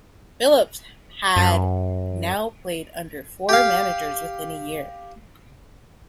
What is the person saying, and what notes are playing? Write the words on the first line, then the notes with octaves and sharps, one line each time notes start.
Phillips had now played under four managers within a year.
F#2
G4 F5